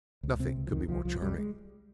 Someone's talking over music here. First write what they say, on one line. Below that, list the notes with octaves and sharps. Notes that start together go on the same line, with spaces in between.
Nothing could be more charming.
C#2
C3 C4
C#2
F3
C#2 D#3
C2 F3
C2 F3
C2 G3
G#3